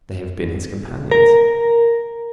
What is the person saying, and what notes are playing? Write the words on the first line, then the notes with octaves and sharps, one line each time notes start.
They have been his companions.
A#4